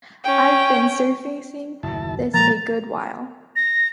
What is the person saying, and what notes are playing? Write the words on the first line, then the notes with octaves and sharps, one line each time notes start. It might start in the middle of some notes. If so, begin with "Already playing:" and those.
I've been surfacing this a good while.
C#4 G5
F#1 D#2 A2 E4 A5
A#2 F3 G#3 A#3 A#5 A6
A#6